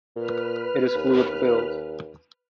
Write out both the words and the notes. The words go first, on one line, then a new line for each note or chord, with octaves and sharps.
It is fluid filled.
A#2 B4 F6
D#2